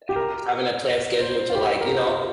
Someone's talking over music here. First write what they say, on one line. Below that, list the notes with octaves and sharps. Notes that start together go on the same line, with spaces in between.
Ha having a planned schedule to, like, you know,
G4
A#4
C5
F4
G4
A#4
G4
F4